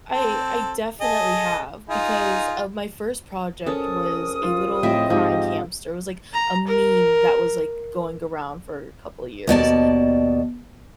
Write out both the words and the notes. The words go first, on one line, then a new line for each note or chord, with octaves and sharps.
I I definitely have because of my first project was a little crying hamster, it was like a meme that was, like, going around for a couple of years
C4 A4
G#4 A4 D#5
D#4 F4 G#4
C#2 C3 C#4 A4 A#4 D#6
F4
A2 F3 C4 D#5 E5
G#2 F3 G4
A#5
A#4
D#2 B2 D5 A5